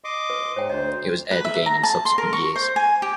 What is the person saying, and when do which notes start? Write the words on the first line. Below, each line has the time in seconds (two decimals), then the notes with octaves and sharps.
It was aired again in subsequent years.
0.04 D#5 C6 D6
0.30 B4
0.56 G#2 C5 C#5 G5
0.69 D2 C5 D#5
1.31 B4
1.45 E5
1.66 A#5
1.83 A5
2.05 C6
2.18 A#4
2.33 C#6
2.56 C5
2.76 G#5
3.02 G4